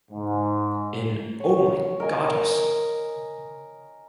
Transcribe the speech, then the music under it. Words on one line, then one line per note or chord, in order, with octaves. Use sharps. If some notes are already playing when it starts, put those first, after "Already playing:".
In Oh My Goddess!
G#2
C#5
A#4 D#5 G#5